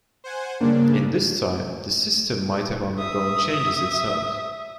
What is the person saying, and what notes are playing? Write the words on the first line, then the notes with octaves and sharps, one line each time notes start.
In this time, the system might have undergone changes itself.
C5 F#5 G#5
G2 C#3 A#3 D4
E5 D#6